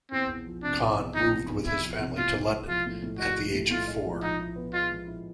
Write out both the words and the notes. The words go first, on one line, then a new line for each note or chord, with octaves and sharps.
Khan moved with his family to London, at the age of four.
E2 C4
E2
F3
C3 D4
E2
E2
F3 D#4
C3
E2
E2 E4
F3
C3
A2 F4
A2
G#3
F3 F4
A2
A2
G#3 F#4
F3
A2
A2 F4
G#3
F3
F3 D#4
E4
B3
G#3 F4
F3
E4